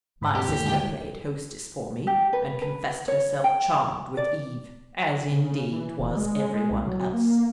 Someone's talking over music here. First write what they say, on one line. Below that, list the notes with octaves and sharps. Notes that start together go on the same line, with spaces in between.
My sister played hostess for me and confessed herself charmed with Eve, as indeed was every one else.
G#2 B5
G2 C3 G4
D#2 A2 E3 E4
G#2 D3 G#4 G5
G4
B4
B4
C#5
G5
D5
C#3
E3
D#1
G#3
C2
F#3
A#3